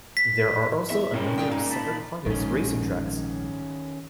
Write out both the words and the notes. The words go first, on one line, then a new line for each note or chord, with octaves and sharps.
There are also a number of separate harness racing tracks.
B6
E2 E5
C#2 A#3 C#4
A#2 F4 G#4 G5
D#4
A5 B5
A#1 G#2 D#3 C#4